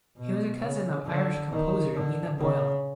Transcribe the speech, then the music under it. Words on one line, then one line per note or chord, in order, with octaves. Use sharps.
He was a cousin of Irish composer Ina Boyle.
B2
C#3
D3
D#3
D3
C#3